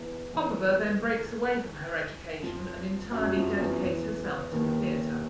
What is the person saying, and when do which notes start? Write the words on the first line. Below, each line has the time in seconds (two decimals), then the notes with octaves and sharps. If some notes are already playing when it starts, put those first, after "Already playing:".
Popova then breaks away from her education and entirely dedicates herself to the theater.
Already playing: E2 E3
0.33 E2 E3
2.42 F2 F3
3.12 F#2 F#3
3.25 F#3
3.36 F2 F3
3.59 E2 E3
3.82 E2 E3
4.52 D#2 D#3